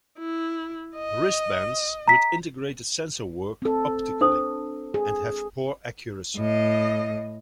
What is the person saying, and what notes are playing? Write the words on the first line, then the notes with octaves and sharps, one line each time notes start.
Wrist bands with integrated sensor work optically, and have poor accuracy.
E4
D#5
A#5 B6
C4 A4
D4 C5 D#6
G#4
A2 D#5